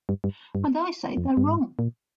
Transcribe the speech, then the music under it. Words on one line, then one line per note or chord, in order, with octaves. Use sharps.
And I say they're wrong.
G2
G2
G2
F2
G2
G#2
A#2